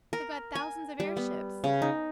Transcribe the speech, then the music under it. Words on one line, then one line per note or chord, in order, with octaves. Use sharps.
They've got thousands of airships.
A#4
G#5
G3
B3
C#3
D#4